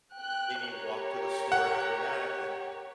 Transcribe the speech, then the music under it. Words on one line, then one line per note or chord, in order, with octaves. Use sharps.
maybe walk to the store after that and,
G5 F#6
G4 A#4 C#5
F#5